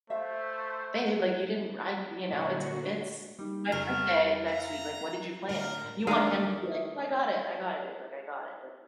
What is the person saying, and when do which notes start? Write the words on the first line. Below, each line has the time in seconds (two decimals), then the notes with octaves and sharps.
"Babe, like, you didn't ra you know, it's a it's my birthday next week, like, what did you plan?" You want him to be like, "Oh, I got it, I got it, babe, like I got it. Like,
0.10 A3 C5 E5 F5
2.29 A#2 D3 F#4
3.39 G3 A#3 D#4
3.72 F2 C#3 A3 A#4
4.47 E5 F5 A#5
5.48 A2 D3 A3 D4 A#4
6.07 D#3 G#3 A3 D4 F5